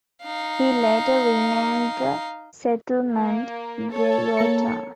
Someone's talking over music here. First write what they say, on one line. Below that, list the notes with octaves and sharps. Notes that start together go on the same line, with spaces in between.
He later renamed the settlement Wiota.
D#4 F5
A#3
A4 C#5
A#3 A#5 C#7